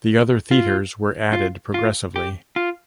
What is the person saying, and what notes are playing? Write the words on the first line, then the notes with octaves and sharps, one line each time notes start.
The other theatres were added progressively.
F4
F4
F4
G4
F4